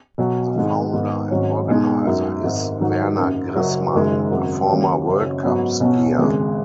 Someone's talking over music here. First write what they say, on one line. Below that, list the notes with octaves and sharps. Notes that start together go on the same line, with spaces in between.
The founder and organiser is Werner Grissmann, a former World Cup skier.
B1 B2 F#3
G#1 G#2 G#3 D#4
G#2 D#3 B3
G#1 G#2 F#3 C#4
B1 B2 G#3 D#4
F#2 F#3 D#4
G#1 G#2 D#3
G#2 D#3 F#3 D#4
F#1 F#2 C#3
F#1 F#2 F#3
F#1 F#2 D#3 G#3
G#1 F#2 C#3 F#3
D#2 C#3 F#3 C#4
F#1 F#2 F#3 C#4
G#2 F#3 B3
B1 B2 F#3 C#4
G#1 F#2 C#3 G#3